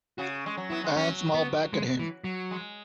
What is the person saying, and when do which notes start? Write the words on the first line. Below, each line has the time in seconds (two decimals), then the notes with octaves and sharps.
Anne smiled back at him.
0.18 C#3 F#4
0.46 G#3
0.57 F#3
0.70 B3 E4
0.84 G#3
0.96 F#3 C#4
1.34 B3
1.73 G#3
1.99 E3
2.24 F#3
2.51 G#3